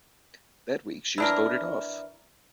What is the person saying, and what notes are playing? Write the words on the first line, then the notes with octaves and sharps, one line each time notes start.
That week, she was voted off.
E3 D4 A#4